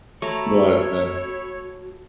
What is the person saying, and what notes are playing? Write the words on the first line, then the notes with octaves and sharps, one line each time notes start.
but, uh
A3 E4 F#4 C#5 A#5 C#6